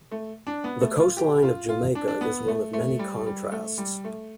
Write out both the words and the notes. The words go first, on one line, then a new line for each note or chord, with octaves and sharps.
The coastline of Jamaica is one of many contrasts.
A3
D4
B3
A3
F4
G4
F4
F4
D4
D4
B3
A3
A3
G3
G3
A3
G3
A3